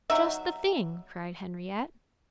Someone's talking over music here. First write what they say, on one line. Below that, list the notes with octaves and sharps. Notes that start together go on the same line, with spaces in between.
"Just the thing!" cried Henriette.
F#3 D#4 E5